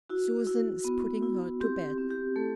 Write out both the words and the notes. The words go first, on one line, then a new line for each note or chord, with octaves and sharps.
"Susan is putting her to bed."
E4 F#4
E4
B3
E4
C4 G4
C4
G4
A3 A4